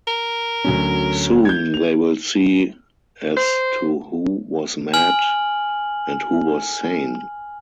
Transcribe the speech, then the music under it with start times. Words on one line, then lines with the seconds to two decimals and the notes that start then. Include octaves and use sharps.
Soon they will see as to who was mad and who was sane.
0.07 A#4
0.65 D2 F#3 C#4
1.45 G6 G#6
1.74 F7
3.37 C5
4.94 G#5 F6 F#7